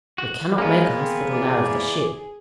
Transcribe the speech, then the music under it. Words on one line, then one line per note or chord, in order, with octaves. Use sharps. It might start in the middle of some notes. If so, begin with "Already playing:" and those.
We cannot make a hospital out of the ship.
F#4
G#3 A#3 B3 C#4
C4 G#4
E3 D5